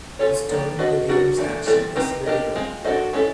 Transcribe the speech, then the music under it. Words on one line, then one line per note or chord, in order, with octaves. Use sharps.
Restoring the game’s action is very good.
C#4 F4 A4 C#5
F3 A#3 D4 G4
D4 F#4 B4 D#5
F#3 A3 D4 F#4 A#4
E3 A3 D4
E3 G3 C4 E4 A4
C4 D#4 G4 B4
D4 G4 A#4 D#5
G#3 C4 F4
D4 F#4 A4 C5 D#5
G#3 C#4 E4 A4